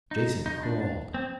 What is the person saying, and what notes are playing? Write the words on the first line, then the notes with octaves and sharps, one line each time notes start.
Jason crawled.
D#4
D#4
D4
C4